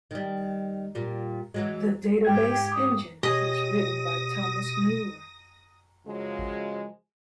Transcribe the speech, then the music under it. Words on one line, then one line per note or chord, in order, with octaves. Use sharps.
The database engine was written by Thomas Mueller.
D#3 G3
A#2 G3
E3 F#3 G#3
G#2 G4 G5 G#6
D6 D#6
B2 G4 G#4 C#5 D#5 D#6 A#6
F#2 C#3 F3 F#3 G#3